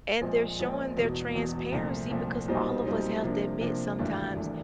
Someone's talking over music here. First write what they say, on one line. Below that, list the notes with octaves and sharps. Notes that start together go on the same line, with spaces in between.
and they're showing their transparency, because all of us have to admit sometimes
A#1 A#2 F3 G#3 C4
A#1 A#2 F3 G#3 C4
E1 E2 B2
E1 E2 B2
C2 A#2 F3 A3
C2 A#2 F3 A3
B1 A#2 G3 C4 D#4
B1 A#2 G3 C4 D#4
C3 F3 A#3 D4
C3 F3 A#3 D4
G#1 G2 E3 A3 D4
G#1 G2 E3 A3 D4